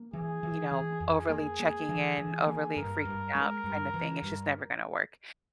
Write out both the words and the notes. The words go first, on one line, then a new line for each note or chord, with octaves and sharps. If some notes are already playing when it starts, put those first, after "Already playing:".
you know, overly checking in, overly freaking out kind of thing, it's just never gonna work.
Already playing: A#3
E3 G#4
E3
E3
F2 G#4
A#3
A#3
E3
E3
A#3
G2 A#4
G2
G#3
G2
E3
G2